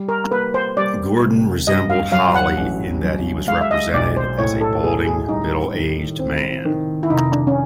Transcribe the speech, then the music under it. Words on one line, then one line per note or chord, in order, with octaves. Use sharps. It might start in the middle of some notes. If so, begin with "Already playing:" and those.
Gordon resembled Holly in that he was represented as a balding middle-aged man.
Already playing: G3
A#4
A#3 B4
C5
G3 D5
C2
G2 D#5
F5
F#3 F5
F#5
A1
F#3
G#3 F5
E5
D#5
B1 D5
C5
A2 C#5
A4
A2 G#4
G#4
G3 D#4
D#3
C4
D#3
E4
F1 D#4
D4
C#4